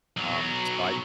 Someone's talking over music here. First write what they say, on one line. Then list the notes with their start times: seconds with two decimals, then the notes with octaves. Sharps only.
um, so I
0.17 B1 F#3